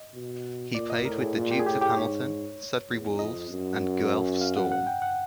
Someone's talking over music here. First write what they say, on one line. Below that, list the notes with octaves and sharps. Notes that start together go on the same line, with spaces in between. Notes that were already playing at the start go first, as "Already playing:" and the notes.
He played with the Dukes of Hamilton, Sudbury Wolves and Guelph Storm.
Already playing: D#5
B2
A#2 D5
D#5
A2 A#4
G#4
A#2
G4
G#4
A2 G4
G4
G#2 C#5
E2
F2 D#5
F#2
F5
F#5
F#5
G5
F#5